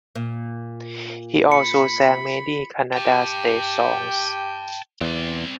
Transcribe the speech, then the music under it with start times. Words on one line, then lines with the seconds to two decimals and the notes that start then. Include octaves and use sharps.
He also sang many Kannada stage songs.
0.15 A#2
1.52 B5 C#7
2.93 G4 G5 A5
5.01 E2 C4 D5